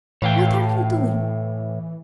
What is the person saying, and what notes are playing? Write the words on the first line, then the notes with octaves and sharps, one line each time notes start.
"What are you doing?"
A2 E3 C#5 F5 G5